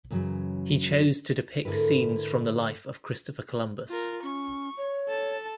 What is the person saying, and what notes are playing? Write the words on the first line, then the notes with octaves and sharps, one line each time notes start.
He chose to depict scenes from the life of Christopher Columbus.
F#2 C#3 E3 F#3
G#2 D3 E4 A#4 B4
F4 A#4
C#4 C#6
C#5
A4 A5